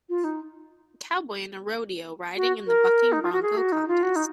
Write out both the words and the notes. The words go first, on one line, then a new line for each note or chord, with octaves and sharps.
A cowboy in a rodeo riding in the Bucking Bronco contest.
F4
D#4
F#4
A#4
D#4
F4
F#4
G#4
F#4
D#4
F4
F#4
D#4